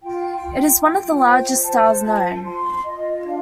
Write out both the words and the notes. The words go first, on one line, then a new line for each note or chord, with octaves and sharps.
It is one of the largest stars known.
F4 G5
F4
F4 G5
C5
C5 A5
F4
F4 C6
F4 D#5
D4 F5